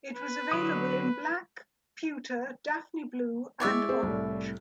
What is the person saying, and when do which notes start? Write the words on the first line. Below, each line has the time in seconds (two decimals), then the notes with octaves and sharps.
It was available in Black, Pewter, Daphne Blue and Orange.
0.15 B4
0.51 D3 F#3 D#6
3.60 G#3 E4 C#5 D5 E5
3.89 C4 G#4 C5
4.03 C2 A2